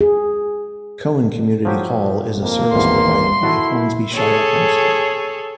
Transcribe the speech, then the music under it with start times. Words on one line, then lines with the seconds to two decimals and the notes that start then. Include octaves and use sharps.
Cowan Community Hall is a service provided by Hornsby Shire Council.
0.01 G#4
1.65 F3 F#3 G4
2.43 F2 A#3
2.74 G#1 E2 G2 C6
3.43 E4 F#4 A4
4.14 G#4 A4 C#5